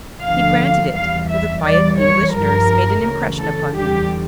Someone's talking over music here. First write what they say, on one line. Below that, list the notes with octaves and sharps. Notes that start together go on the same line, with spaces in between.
He granted it, for the quiet English nurse made an impression upon him.
D2 D3 F3 F5
E2 E3 G3 F5
E5
E2 E3 G3 D5
C#5
G2 F3 A#4
D2 C#3 E3
A4
E2 D3 G3 G4